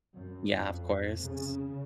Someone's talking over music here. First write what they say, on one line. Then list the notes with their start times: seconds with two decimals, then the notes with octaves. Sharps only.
Yeah, of course.
0.12 F#2
0.49 F2
1.22 C#3